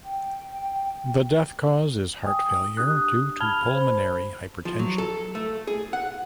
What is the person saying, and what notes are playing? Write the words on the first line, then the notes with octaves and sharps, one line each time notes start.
The death cause is heart failure due to pulmonary hypertension.
G5
G5 G#5 D#6
D4 G4 D#6 F#6
A5 B5 F6 G#6 F7 G7
C5 B5
F3
F#3
A4
A3
G#4
F#5